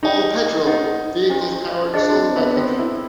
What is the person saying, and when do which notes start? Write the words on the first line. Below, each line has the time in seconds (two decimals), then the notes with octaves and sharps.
All Petrol - Vehicles powered solely by petrol.
0.03 D#4 G#4 B4 D5 G5
0.67 D#4 G#4 C5 D#5 F#5
1.30 C#4 E4 G4 C5
1.94 D4 G#4 C5 D#5
2.15 C4
2.36 B3
2.56 C4 F4 A4 C5
2.79 E4